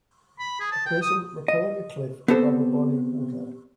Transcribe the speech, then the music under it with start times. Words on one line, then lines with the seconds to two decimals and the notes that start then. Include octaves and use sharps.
A person rappelling a cliff above a body of water.
0.39 B5
0.60 G#4
0.72 A5
0.86 G5
1.02 D#6
1.48 D#5
2.28 B3 C4 G4 A4 C5